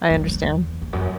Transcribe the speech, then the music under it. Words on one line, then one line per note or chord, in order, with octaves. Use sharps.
I understand.
F#2
E2
E2
F#2